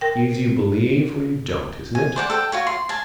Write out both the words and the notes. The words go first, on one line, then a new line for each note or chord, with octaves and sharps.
Either you believe or you don't, isn't it?
A#4 G5
G#5
C5 D5 F#5
A4 G5
F4 F#4 C#5
C6
G#5 A5